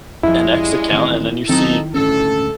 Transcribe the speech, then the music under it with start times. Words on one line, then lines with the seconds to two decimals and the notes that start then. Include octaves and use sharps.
an X account, and then you see
0.23 F2 C#3 F3 G3 G#3 E4
0.91 A1 D#3 C4
1.49 D#3 F#3 C4 D#4 A4
1.94 D#1 G#1 D2 C#4 A4